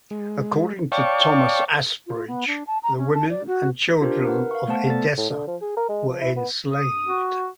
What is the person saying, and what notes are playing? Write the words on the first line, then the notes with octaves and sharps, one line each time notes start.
According to Thomas Asbridge, the women and children of Edessa were enslaved.
G#3
C#5 D5 F5 G5 A5 C#6
F4
B3
D4
A5
A#5
C#4
A5
D5
F#4
D4 F4 G4 A#4 C5
A#4 B4 F#5
F5 C#6
A3 B3 C5 F#5 A5
A3 B3 A4 D5 A6
A2
D3
F3
G#4
A#4
G#3
F3
E4
B3
D#6
F#4